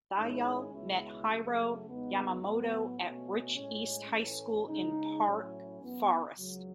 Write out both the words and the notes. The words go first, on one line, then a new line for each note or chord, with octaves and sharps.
Thayil met Hiro Yamamoto at Rich East High School in Park Forest.
G#2 D#3 G#3 C#4 E4
C#2 B2 G#3 C#4 E4
F#2 C#3 F#3 A3
E2 C#3 G#3 B3 D#4
A2 F#3 B3
B2 A3 C#4
A2 G#3 C#4
A2 E3 A3 C#4
C#3 G#3 D#4
A2 F#3 A3 C#4 E4
F#2 E3 B3
C#2 C#3 F#3